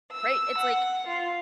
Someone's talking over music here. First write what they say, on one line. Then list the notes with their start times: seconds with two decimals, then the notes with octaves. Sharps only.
Right, it's like,
0.12 E6
0.58 F#5
1.07 F4